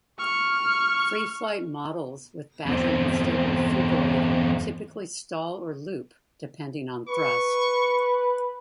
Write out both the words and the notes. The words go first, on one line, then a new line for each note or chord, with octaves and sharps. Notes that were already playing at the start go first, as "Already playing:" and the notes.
Free flight models with badly unstable phugoid typically stall or loop, depending on thrust.
C#6 F6
E2 C4
B4 C#6